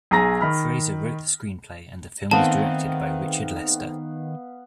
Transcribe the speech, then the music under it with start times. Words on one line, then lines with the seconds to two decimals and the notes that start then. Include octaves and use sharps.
Fraser wrote the screenplay and the film was directed by Richard Lester.
0.11 B1 G#4 A#5 A#6
0.40 D#3 B5 F6
2.31 D#3 A3 B3 C4 F5 A5